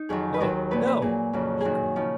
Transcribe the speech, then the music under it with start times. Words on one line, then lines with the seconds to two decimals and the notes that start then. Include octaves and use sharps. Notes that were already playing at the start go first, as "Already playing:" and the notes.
"No, no," she cried.
Already playing: D#4
0.09 F2 D#3 F#3 G#4
0.34 B4
0.40 D#2 D#3 F#3 A#4
0.71 A#2 F3 B4
0.87 B4
1.02 A#2 F#3 G#4
1.33 F2 C#3 F#3
1.61 F#2 D#3 F#3 F#4 G#4
1.96 C#3 F3 D#4